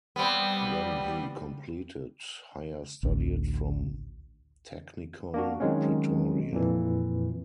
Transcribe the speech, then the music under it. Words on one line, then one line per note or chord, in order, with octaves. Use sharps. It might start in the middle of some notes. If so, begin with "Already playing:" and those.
Then he completed higher studied from Technikon Pretoria.
G3 B3 C4
A1 D2
A#3 D4 F#4
D#3 F#3 G#3 C4 C#4
F2 A#2 E3